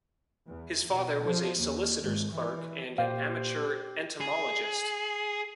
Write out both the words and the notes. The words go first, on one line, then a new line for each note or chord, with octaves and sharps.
His father was a solicitor's clerk and an amateur entomologist.
E2
B2
F3
D#2
G#1
E3
A#2 G4 C5 F5
G#4